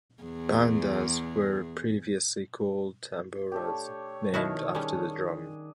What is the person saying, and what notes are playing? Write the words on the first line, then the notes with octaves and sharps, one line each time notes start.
Bandas were previously called "tamboras", named after this drum.
E2 G#4
A3 D4 G4 C#5
B2 D#3 E4 F#4
G3 C#4 D4 G#4